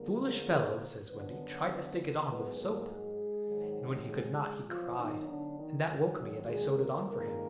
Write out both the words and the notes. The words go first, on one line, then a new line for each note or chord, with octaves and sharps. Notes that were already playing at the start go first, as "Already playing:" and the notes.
"The foolish fellow," says Wendy, "tried to stick it on with soap, and when he could not he cried, and that woke me, and I sewed it on for him."
Already playing: F2 D3 G#3 A#3 A#4
F#2 D3 F#3 B3 B4
G#2 F#3 B3 B4
A#3 A#4
G#3 G#4
G#2 D#3 F#3
G#3 G#4
B2 F3 F#3 F4
D#3 D#4
D3 D4
D#3 D#4
F#2 D#3 F#3
F#3 F#4
G#3 G#4
A#3 A#4
F2 D#3 G#3 A#3 A#4